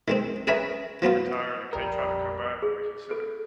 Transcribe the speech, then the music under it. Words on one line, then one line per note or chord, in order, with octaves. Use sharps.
he retired, and Kade tried to come back like you said.
D#3 G#3 C4
G#4 A#4 B4 C#5 E5 G#5
F3 F#3 B3 F4
A#1 F2 G3 A#4
G#4
A4